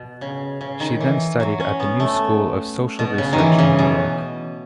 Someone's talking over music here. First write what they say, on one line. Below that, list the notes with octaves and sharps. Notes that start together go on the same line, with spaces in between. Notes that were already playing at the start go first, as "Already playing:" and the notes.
She then studied at the New School of Social Research in New York.
Already playing: B2
C#3
C#3
D#3
E3
F#3
C#4
B3
A3
B2
C#3
D#3
E3
C#3
B2